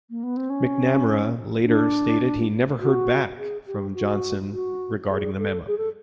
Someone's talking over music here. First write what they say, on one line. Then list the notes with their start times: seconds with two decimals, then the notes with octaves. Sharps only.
McNamara later stated he "never heard back" from Johnson regarding the memo.
0.10 A#3
0.23 B3
0.37 C4
0.50 C#4
1.66 D4
2.80 F#4
3.38 G#4
3.67 G4
3.94 F#4
4.52 F#4
5.10 G#4
5.38 A4
5.67 G#4
5.78 A4